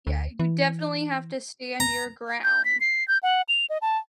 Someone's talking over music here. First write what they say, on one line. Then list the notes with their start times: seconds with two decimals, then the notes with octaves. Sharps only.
Yeah, you definitely have to stand your ground.
0.07 D2
0.40 E3
1.80 A#5
2.44 G6
2.65 B6
2.81 C7
3.08 G6
3.23 F#5
3.49 F7
3.70 D#5
3.82 A5